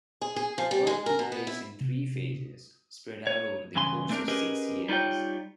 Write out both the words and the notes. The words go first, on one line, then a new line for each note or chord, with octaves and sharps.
Work took place in three phases spread out over the course of six years.
G#4
G#4
F3
G3
G#3
A#4
B2
B3
E4
C3
C#5
G2 C#3 E3 G#5 C6
A3 C4 D4 A4 A#4
C#4 G4 G#4 A#4 B4 D#5
G3 D#4 F4 C#5 G5